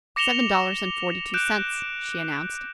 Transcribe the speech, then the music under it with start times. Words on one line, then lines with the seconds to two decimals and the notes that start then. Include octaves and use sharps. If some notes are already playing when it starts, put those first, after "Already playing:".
"Seven dollars and forty-two cents," she announced.
0.16 D6 A#6 C#7 E7 F7 G7
1.34 F#6 G6 D7 E7